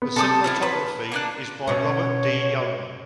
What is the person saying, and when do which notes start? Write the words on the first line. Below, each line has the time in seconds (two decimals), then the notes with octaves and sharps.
The cinematography is by Robert D. Yeoman.
0.02 B3
0.16 C3 G3 A4 G#5 A5 D6 D#6
0.44 C#4 E4 F4 A5
0.63 B4 A5 C6
1.12 A#3 D4 F#6
1.68 B2 C#4 C#5